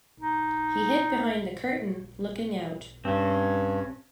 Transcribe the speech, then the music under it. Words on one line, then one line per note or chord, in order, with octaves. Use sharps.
He hid behind the curtain, looking out.
D#4
G2 C4 C#4